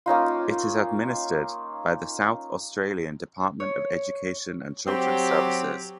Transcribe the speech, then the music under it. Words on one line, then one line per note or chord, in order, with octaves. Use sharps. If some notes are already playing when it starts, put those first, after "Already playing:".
It is administered by the South Australian Department of Education and Children's Services.
A#3 C#4 D#4 F4
C#5
F#3 C4 G4